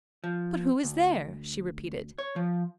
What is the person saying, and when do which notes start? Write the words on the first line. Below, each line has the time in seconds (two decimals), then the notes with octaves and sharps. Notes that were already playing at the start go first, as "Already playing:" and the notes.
"But who is there?" she repeated.
0.24 F3
0.84 D2
2.18 C#5
2.36 F3